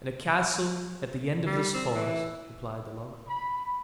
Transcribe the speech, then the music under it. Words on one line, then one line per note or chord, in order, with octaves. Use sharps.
"In a castle at the end of this forest," replied the lover.
G3
C4
E3
B5